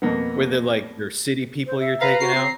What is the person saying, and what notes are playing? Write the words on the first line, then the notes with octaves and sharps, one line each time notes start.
Were they, like, your city people you're taking out?
F2 B2 A#3 B3
C5
E5
B4 F5 A#5
F#4 C7
C4